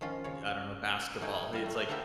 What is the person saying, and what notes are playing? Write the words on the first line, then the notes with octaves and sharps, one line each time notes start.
I don't know, basketball." It's like,
D#3 F3 C#4 F4
C#3 C#5
G3 A3 D#4 G5 G#5
G3 F5
A3
E4 G4 A4 A#4 F5 F#5